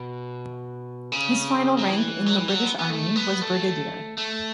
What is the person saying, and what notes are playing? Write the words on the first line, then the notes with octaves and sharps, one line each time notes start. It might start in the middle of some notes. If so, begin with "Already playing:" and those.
His final rank in the British Army was brigadier.
Already playing: B2
C#3
F#3
E3
F#3
E3
F#3
B3
B3
A3
B3
A3
A3